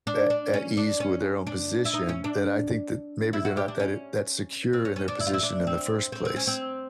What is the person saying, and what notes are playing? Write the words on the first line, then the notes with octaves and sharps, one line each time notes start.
at at ease with their own position, then I think that maybe they're not that it that secure in their position in the first place.
D4
D4
C#4
D4
C#4
D4
E4
D#4
C#4
D4
E4
F#4
G4
D4
C#4
C4
C#4
C#4
D4
E4
F4
E4
D4
C4
C4
C4
C#4
C4